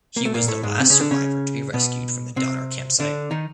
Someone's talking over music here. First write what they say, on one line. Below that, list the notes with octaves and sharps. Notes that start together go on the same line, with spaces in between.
He was the last survivor to be rescued from the Donner campsite.
A#3
A3
A#2 A#3
A2 A3
G#2 G#3
C3 C4
C#3 C#4
D3 D4
C#3 C#4
B2 B3
C3 C4
D3 D4
D#3 D#4